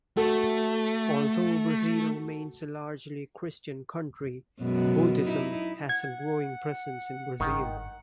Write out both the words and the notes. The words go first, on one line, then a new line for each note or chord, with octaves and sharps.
Although Brazil remains a largely Christian country, Buddhism has a growing presence in Brazil.
A3 F#4 A4
F#2 B2 G#3
D#4 E4
F#5 G#6
G1 G#2 D#3 F#5